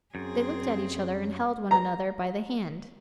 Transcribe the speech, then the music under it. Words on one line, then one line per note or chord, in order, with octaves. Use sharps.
They looked at each other and held one another by the hand.
F#2 C4 G#4
A#5